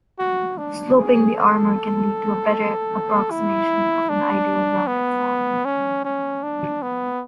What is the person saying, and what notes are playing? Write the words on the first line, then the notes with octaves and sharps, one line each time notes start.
Sloping the armour can lead to a better approximation of an ideal rounded form.
F#4
D4
G#4
A4
E4
D4
B3
C#4
C#4
D4
B3